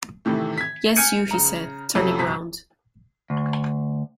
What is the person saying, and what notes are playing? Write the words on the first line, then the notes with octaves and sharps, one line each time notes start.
"Yes, you," he said, turning round.
A2 C3 D#3 E3 A3
G#6 B6
G#5 F6 G6 G#6 C#7 D#7
C#3 A#5
F2 C3 E3 F#3 A3 C#4
F#1 B2 A#5 B6
D2